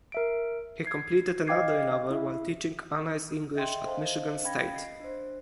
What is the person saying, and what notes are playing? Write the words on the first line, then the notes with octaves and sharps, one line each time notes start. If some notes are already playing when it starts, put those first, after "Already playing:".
He completed another novel while teaching Honors English at Michigan State.
A#4 E5 D7
G#6 C7
D#5 F5 G5 D6 G#6 C7
E4 E5
D#5 E5 G5 C6
A4 C5 D#5 F5 A5
C#4 F5 G5 B5 G#6 A#6
D#5 C7
D4 C5